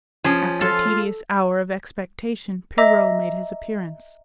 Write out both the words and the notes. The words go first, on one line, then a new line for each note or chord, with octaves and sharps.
After a tedious hour of expectation, Pierrot made his appearance.
F3 C#4 G#4
F4 A4
D#5 E5 A#5 D6 E6 A#6